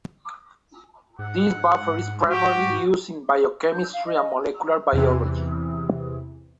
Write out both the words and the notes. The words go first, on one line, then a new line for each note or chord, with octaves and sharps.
This buffer is primarily used in biochemistry and molecular biology.
G#2 F#5
F#4 G4
G6
F5
D#5
E2 C3 E3